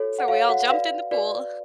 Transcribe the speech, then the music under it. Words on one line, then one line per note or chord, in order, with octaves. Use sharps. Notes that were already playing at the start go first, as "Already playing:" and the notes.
So, we all jumped in the pool.
Already playing: F#4 A4 C#5
F#5
F#4 A4 C#5 F5
F#4 F#5
F#5
F#4 B4 D5 F5
F#4 B4 D5